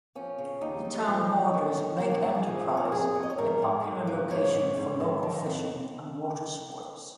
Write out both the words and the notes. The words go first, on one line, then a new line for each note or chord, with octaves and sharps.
The town borders Lake Enterprise, a popular location for local fishing and watersports.
F3 C#4
C#3
D#2 D#4
D#2
F3
D#2
D#3 C#4
D#3
D#3 A#3
C#4
G#2 F4
G#4
F3
F2
C#5
A#4
F2 G#4
F2
D#5
C#5
G#2 A#4
G#2
G#2
F3
G#2 C#5
G#2
G#2
D#3
D#3
F2